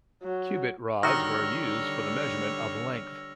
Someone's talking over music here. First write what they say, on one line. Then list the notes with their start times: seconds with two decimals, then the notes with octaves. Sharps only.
Cubit rods were used for the measurement of length.
0.23 F#3
1.03 D3 D#3 G3 F#4 C#5 E6 F6 A#6